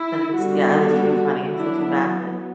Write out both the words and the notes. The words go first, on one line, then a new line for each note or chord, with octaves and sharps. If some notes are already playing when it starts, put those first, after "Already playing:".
then it's, yeah. It was pretty funny looking back. But
Already playing: E4
D3 G3 B3 D4 F#4
F#3 B3 D4 E4